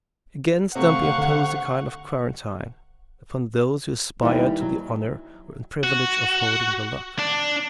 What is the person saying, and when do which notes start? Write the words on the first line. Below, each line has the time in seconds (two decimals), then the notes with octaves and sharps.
Again Stumpy imposed a kind of quarantine upon those who aspired to the honor and privilege of holding The Luck.
0.75 C3 A3 C4 F5 F#5 C#6
1.18 D3
4.23 D#2 E3 G3
4.61 F#3
5.83 F#4
7.19 D4